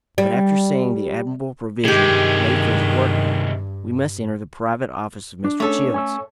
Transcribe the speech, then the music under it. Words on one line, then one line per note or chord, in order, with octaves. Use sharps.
But after seeing the admirable provision made for his workmen, we must enter the private office of Mr. Childs.
G3
G2 C3 D#3 G#3 G4 G#4
D4
A3 C#4 A4 C#5
G#5 C#6 E6